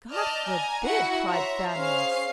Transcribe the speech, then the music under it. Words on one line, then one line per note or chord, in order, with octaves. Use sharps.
"God forbid!" cried Famulus.
D5 D#5 A5 F6 G6
G#5 A#5
E4 F#4 F#5
C#5 E5 A#5 C6
C#4 G#4 C5 F5 F6 C7